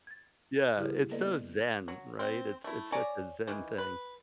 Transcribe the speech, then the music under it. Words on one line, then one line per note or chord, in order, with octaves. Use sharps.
Yeah. It's so Zen, right? It's it's such a Zen thing.
G#6 A6
C#3 G3 E4 G4 G#4 F6
A#3 B3 A4 B4 D5 D#5
F#3
C4
A3 E4
C#5 D5 G#5 A#5
D#3 E3
B4